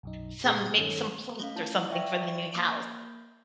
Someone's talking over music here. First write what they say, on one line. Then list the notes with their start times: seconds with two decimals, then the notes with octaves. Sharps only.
some maybe some plates, or something for the new house, or
0.03 B1 F#2 D#4
0.44 A#2 C#3 G#4
0.75 G2 D#3 C#4 A4
1.40 A3 C#4 F5
1.56 E4 F4 A5 G6
1.90 D5 E5 F5 G5 C#6 A#6
2.56 A#3 B5 G6